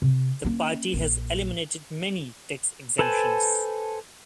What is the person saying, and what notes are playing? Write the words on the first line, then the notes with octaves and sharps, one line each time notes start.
The party has eliminated many tax exemptions.
C3
A#3 C#4
A#1 A#2
A4 B4 C5 G#5 A5